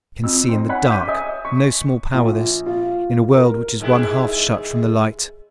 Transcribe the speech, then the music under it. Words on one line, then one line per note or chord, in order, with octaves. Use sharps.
He can see in the dark--no small power this, in a world which is one half shut from the light.
F2 E6
C4 D#4
C#5 F#5 G#5 B5 F#6 B6
D6 G6 B6 D#7
C#5 D#5 E5 G#5 D#6
C#6 B6
A#1
F4
A#4
D#2 G#3 E4